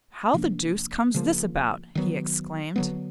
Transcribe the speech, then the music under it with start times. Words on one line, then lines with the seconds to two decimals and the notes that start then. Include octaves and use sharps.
'How the deuce comes this about?' he exclaimed.
0.34 C3 F3 A#3 D4
1.14 C#3 F3 A#3
1.95 D#3 F#3 B3
2.76 D3 F#3 B3